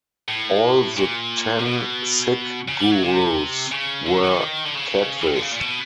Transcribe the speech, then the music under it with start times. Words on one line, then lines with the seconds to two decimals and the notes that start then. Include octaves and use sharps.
All the ten Sikh Gurus were Khatris.
0.28 A2
0.97 A#2
1.59 C3
1.65 B2
2.68 C#3
2.80 G3
2.92 F#3
3.03 C3
3.72 C#3
4.05 D3
4.23 D#3
4.65 D3
4.75 C#3
5.21 E3
5.27 D#3
5.36 D3
5.43 C#3
5.52 A#2
5.60 B2